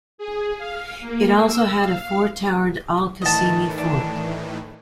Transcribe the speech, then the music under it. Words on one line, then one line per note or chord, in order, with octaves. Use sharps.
It also had a four-towered Al-Qasimi fort.
G#4
F5
A#3
E6
F5
A2 D#3 E3 D#5 A5
D4